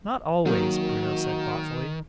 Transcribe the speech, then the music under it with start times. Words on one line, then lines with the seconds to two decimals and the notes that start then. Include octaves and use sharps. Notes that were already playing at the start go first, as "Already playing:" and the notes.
"Not always," Bruno said thoughtfully.
0.46 D#3 F#3 A#3 F#4